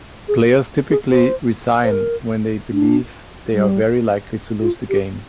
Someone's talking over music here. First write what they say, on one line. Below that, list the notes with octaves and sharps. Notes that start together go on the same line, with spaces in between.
Players typically resign when they believe they are very likely to lose the game.
G#4
G#4
C5
C5
A#4
D4
G3
F4
G4